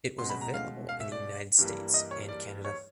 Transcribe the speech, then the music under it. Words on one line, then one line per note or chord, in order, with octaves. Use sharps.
It was available in the United States and Canada.
B2 G#3 C#4 C6
B5
A#5
F5
F5
E5
D5
G2 E3 G3 A#3
D#5
C#5
D5
C#5